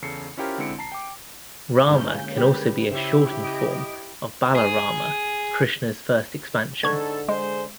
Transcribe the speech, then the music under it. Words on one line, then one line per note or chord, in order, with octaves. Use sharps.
Rama can also be a shortened form of Balarama, Krishna's first expansion.
E2 C#3 A4 C7 C#7
C#4 E4 F4 G4 A#4 C5
D3 G#3 C4 E4 C#7 D7
A5 A#5 C7
G5 D6
G2 A#2 D3 E3 G#3 A#3 C#4 G6
C#3 G3 G4 B4
C#3 E4 G4 C5 C#5 E5
D#5 D7
G#4
G#2 D3 D#4 A4 C#6 G#6
G#3 G#4 C5